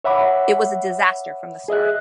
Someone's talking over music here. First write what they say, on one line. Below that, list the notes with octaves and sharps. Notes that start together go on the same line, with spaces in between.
It was a disaster from the start.
C#5 E5 F#5 B5 D6
G#4 D#5 E5 F#6